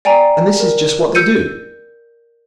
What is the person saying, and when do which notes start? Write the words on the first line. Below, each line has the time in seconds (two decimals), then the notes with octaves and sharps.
And this is just what they do.
0.05 D5 G5 G#5 A#5
0.60 A#4
1.15 E6 G6 C#7 D#7